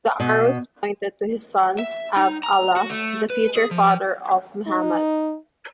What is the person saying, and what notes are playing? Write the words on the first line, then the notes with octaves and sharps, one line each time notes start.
The arrows pointed to his son Abd-Allah, the future father of Muhammad.
B2
E5
D#4
A#5
F#4
A3
B4
G#4
F3
D#4